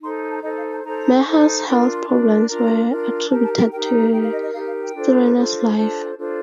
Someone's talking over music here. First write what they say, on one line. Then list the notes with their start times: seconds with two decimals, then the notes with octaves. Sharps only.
Maher's health problems were attributed to a strenuous life.
0.03 D#4 A4 C5 C6
0.31 A5
0.43 D#4 A4 C5 D#5
0.57 F5
0.71 A5
0.84 D#4 A4 C5 A#5
1.25 D#4 A4 C5
1.66 D4 F4 A#4 G5
1.80 A#5
1.93 C6
2.07 D4 F4 A#4
2.48 D4 F4 A#4 A#5
2.90 D4 F4 A#4
3.30 D#4 G4 A#4 A5
3.44 A5
3.57 G5
3.71 D#4 G4 A#4 G5
3.85 G5
3.99 A#5
4.12 D#4 G4 A#4 G5
4.22 F5
4.32 D#5
4.43 D#5
4.53 D#4 G4 A#4 F5
4.67 F5
4.81 G5
4.94 D4 F4 A4 C5
5.35 D4 F4 A4 C5
5.76 D4 F4 A4 C5 A5
6.17 D4 F4 A4 C5